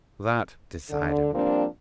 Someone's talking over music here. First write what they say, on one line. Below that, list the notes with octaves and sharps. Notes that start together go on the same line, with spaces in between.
That decided me.
D3
F3 G3 A#3 C4 D4